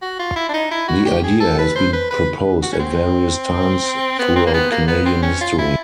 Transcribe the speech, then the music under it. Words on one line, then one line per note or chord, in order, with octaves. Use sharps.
The idea has been proposed at various times throughout Canadian history.
F#4
F4
E4
D4
D#4
E4
F#4
G4
G#4
A4
B4
C5
B4
B4
F#4
C#4
C4
B3
C4
A#3
B3
A#3
B3
C4
C#4
F4
E4